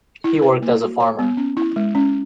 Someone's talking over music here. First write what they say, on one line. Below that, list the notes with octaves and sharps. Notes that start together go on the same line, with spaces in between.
He worked as a farmer.
E4
B4
A#3
F#4
C#5
B3
C#4
E4
G#3
C#4